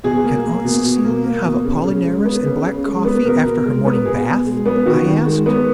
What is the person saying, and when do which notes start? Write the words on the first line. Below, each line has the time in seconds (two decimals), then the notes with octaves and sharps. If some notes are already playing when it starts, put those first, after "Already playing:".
'Can Aunt Celia have Apollinaris and black coffee after her morning bath?' I asked.
0.04 B2 G#4
0.24 A#3
0.44 A#3
0.64 B2
0.85 B2
1.04 A#3
1.24 A#3
1.45 B2
1.65 C#3
1.85 C#3
2.05 G#3
2.25 B3
2.46 C#3
2.66 C#3
2.86 G#3
3.05 B3
3.25 B2 A#4
3.45 B2
3.66 G#3
3.85 B3
4.05 B2 G#4
4.26 B2
4.46 G#3
4.66 B3
4.86 D#3 F#4
5.06 D#3
5.26 G#3
5.46 B3